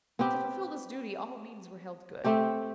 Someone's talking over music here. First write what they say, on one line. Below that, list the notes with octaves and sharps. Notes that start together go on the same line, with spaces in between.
To fulfil this duty all means were held good.
B3 C4 G4
A3 C4 G4